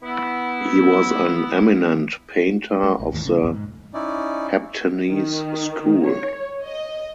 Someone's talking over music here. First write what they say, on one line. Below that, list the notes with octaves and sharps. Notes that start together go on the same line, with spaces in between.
He was an eminent painter of the Heptanese School.
B3 E4
G3 G#3
A#1
D#2 A2 E3
C#3 A3
B1 F2 A#2
G#2
C#4 D#4 E4 D5
D#3
C#5
D#5